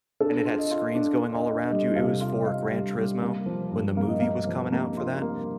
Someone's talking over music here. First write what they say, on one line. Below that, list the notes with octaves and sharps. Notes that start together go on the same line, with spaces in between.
and it had screens going all around you; it was for Gran Turismo when the movie was coming out for that,
D4 A4
F4
D#5
F4
D4
D4
D#5
D4
G3 D#5
C3 F5
F4 F5
D#5
F4 F5
G3
G3
A#3
F3
G2
A#3 F5
D#5
A#3 F5
F3
A#3
F4
A#3